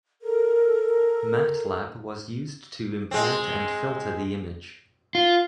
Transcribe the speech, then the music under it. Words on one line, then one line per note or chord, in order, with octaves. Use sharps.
Matlab was used to import and filter the image.
A4 A#4
G#3 C4
F4